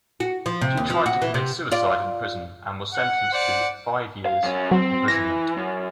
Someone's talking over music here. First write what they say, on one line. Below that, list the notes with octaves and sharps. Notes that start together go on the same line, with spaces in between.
She tried to commit suicide in prison, and was sentenced to five years imprisonment.
F#4
F3
C3
D#2
F3
F#4
E3
C3
F4 D5
F#5
C5 D5 F#5
F5
F#2 C#4
F#3 C4
E3 A#6
F#2